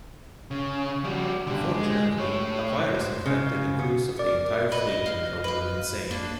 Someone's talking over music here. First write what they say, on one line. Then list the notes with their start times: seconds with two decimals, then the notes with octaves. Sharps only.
Unfortunately, a virus infected the crews of the entire fleet and drove them insane.
0.51 C#3
1.04 G3 F#4
1.47 D3 G3
1.74 G#3
2.18 A3 C#5
2.94 C5
3.26 C#3
3.79 B3
4.19 A#4 D5
4.72 B4 D#5
5.06 F5
5.44 B4 F5
6.11 A#3 D4